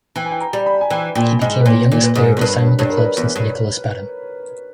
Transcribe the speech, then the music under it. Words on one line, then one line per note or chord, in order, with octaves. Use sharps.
He became the youngest player to sign with the club since Nicolas Batum.
E3 G5
G#5
G5
A#5
G3
B5
G#5
E3 G5
A#2 G5
G#2 D#5
B4
A#2 C#5
C#5
A#2
B4
G#2
A#4
E2
G2 B4
C#5
G2 C#5
A#4
B4
E2
G2